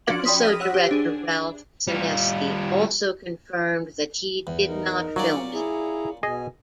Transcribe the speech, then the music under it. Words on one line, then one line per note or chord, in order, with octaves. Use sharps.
Episode director Ralph Senesky also confirmed that he did not film it.
F3 C#4 D4 F#4 D6 F#7
D5 G5 B5 C6 D#6 B6
D#6 F6 A#6 B6 D#7
C#5 F#5 E6 F#6
G4 C5
D4 G#4
G3 F4
E2
D#4 A#4
A#2 F#3 C#4 D5
E4 G#4 A#5
B2 G#4 D#5 G#5